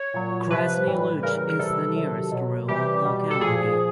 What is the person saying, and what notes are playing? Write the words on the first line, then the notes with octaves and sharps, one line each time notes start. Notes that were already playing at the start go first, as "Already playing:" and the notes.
Krasny Luch is the nearest rural locality.
Already playing: C#5
A#2 F#3
C3 F3 B4
A2 E3 G3
C#3 E3 G3 A#4
A#4
C3 E3 G3 A4
C3 D#3 F#3
B2 F#3
C3 E3 G3 G4
B2 G3
A4
A#2 F3 G#4